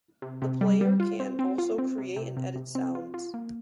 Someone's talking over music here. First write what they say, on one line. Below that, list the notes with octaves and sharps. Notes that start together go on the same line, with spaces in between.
The player can also create and edit sounds.
C3
C3
G3
G3
F4
C4
C4
F4
C4
C3
C3
C3
C3
C4
F4
F4
A#3